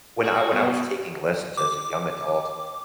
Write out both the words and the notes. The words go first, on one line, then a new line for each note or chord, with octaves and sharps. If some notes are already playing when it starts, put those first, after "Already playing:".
when I when I was taking lessons as a young adult,
F#4
B2
D6